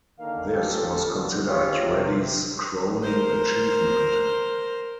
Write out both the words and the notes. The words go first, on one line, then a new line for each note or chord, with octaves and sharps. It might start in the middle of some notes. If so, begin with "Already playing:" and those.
This was considered Reddy's crowning achievement.
D3 D#3 A#3 A#4 F5
C#4 F4 G4 A4
D2
C#4 F4 G4 C#5
C3
A#4 C5